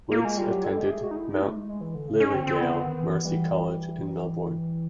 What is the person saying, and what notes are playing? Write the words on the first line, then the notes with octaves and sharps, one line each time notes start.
Woods attended Mount Lilydale Mercy College in Melbourne.
A#3 F#4
G#3 F4
G3 F4
F#3 G4
G3 A4
G#3
G4
A3 G#4
G#3 F#4
D#4
E4
D#4
A3
G#3
G#3
E3
D3
C#3
C#4
D3 C4
D3 C4
C#3 B3
D3
D#3
E3
E3 G3